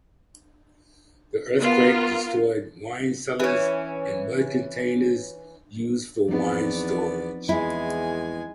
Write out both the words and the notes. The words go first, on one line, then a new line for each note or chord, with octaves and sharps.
The earthquake destroyed wine cellars and mud containers used for wine storage.
B3 F4 A#4
E3 C#4
E2 F3 B3 C4 D#4 D5
E2 G#3 E4 G#5